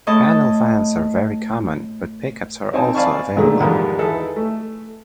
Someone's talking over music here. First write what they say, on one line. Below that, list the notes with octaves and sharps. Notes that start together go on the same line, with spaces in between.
Panel vans are very common, but pickups are also available.
A2 D#5 A5
C4 D#4 C5 G#5 A5
D5 F5 G#5 A5 B5 C#6
A#2 D3 D#3 G#3 A3
E2 G#2 D#3 F3 G3 B3
D#4 E4 G#4 A4 B4 D#5
A3